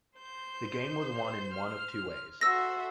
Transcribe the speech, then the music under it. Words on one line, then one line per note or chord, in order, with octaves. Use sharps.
The game was won in one of two ways.
C5 G6
F6
F#4 A4 C5 E5 E6 A#6